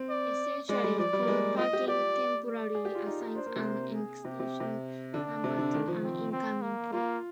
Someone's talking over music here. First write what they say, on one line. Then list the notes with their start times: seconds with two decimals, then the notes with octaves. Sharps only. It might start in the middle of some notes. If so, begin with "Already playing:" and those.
Essentially, call parking temporarily assigns an extension number to an incoming call.
Already playing: C4
0.09 D5
0.69 G#3 D5
0.84 G3
0.98 F3 D5
1.13 G3
1.22 A#3
1.28 G#3
1.57 F4 D#5
1.73 G4
1.88 G4 D5
2.47 D5
2.75 G#4
2.85 G4
2.95 F4
3.06 D#4
3.21 D#4
3.35 D4 C5
3.46 A#3
3.56 C3
3.95 G#4
4.24 C3 G4
4.40 C3
4.60 C3
5.14 D3 D4
5.44 C3
5.58 D3
5.74 D#3
5.87 F3
6.03 C4
6.32 C4
6.62 A#3
6.92 A#3 F4